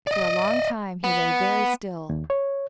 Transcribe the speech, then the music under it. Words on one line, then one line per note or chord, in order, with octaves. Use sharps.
For a long time he lay very still.
D5 D#5
B3
D#2
C#5